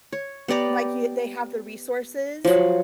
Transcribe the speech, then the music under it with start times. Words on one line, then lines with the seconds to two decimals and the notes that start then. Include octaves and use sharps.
like you they have the resources
0.12 C#5
0.48 B3 G4 D5 A#5
2.45 F3 F#3